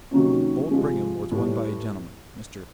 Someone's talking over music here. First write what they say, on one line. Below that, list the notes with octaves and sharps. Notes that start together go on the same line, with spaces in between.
Old Brigham was won by a gentleman--Mr.
C3 D#3 F#3 A#3 C#4
C3 F3 G#3
A2 E3 G3